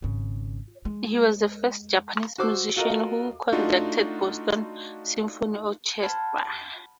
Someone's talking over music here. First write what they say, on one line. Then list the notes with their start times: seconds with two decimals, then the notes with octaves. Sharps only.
He was the first Japanese musician who conducted Boston Symphony Orchestra.
0.02 G#1 C#3
0.85 G#3
2.38 F#4 C5 D6 E6
2.76 F4 F#4 A4 A#4 D#5
3.52 A3 D4 D#4 F4 F#4
6.02 F#5 A5 B5 C6 F6 G#6